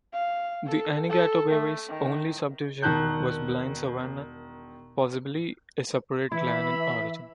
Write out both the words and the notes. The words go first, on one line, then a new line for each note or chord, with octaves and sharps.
The Anigatogewi's only subdivision was Blind Savannah, possibly a separate clan in origin.
F5
A4
A4
A3
D#3
E1 D#3 A5 F#6 G6
E3 E4 E5 B5